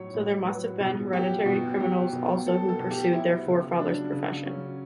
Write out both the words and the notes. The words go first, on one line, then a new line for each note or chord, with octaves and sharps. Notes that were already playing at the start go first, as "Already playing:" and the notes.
So there must have been hereditary criminals also who pursued their forefathers' profession.
Already playing: A2 F#3 C#5
A2
F#3 B4
B2
F#3 G4
B2 F#4
F#3 G4
B2
F#3 A4
A4
B2
G4
F#3 E4
C#3
F#3 D4
C#3
F#3 C#4